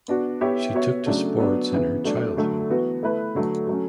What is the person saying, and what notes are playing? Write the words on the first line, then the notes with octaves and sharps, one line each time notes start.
She took to sports in her childhood.
B3 D4 F#4
B3 E4 G4 C#5 E5
B3 F#4 C#5 E5
C#3 F#3 A3 D4 A4
F#3 B3 D4
C#3 E3 B3
F#3 A3 D4
D3 F#3 A3
E3 B3 F#4
A3 E4 B4
D3 F#3 A3
F#3 A3 C#4